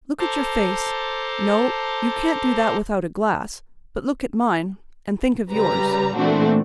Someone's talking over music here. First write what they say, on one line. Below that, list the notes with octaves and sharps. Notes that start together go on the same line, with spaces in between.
Look at your face--no; you can't do that without a glass--but look at mine, and think of yours.
A4 C5 A5 A#5 C6 D6
C#3 G3 B4 A#5
A#2 E3 A3 C4 D4 F#4